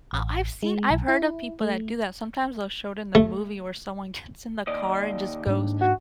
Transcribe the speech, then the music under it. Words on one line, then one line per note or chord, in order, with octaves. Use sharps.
Uh, I've seen I've heard of people that do that, sometimes they'll show it in the movie where someone gets in the car and just goes
A1
G#3
B1
E4
A3
A3
D#2 D5 D#5
G#2 D4
F#4